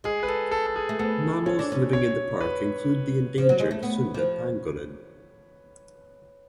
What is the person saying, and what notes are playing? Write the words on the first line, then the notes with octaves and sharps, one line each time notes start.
Mammals living in the park include the endangered Sunda pangolin.
G#3 G#4
B4
A4
A4
A4
G#4
A3
B3 A4
C#4 C#5
D4
C#4
C#5
B4
F3
F#3
G#3
A3
B3
F3